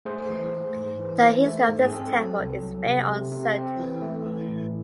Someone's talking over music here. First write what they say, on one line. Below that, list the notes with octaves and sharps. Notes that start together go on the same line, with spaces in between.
The history of this temple is very uncertain.
A3 G#4 C5
E3
A3
G#2
E3
E3
A3
G#2
G#4
C4 A4
F#3
C2
F#3
C3
C3
C3
C4
E3
A3
E3
A2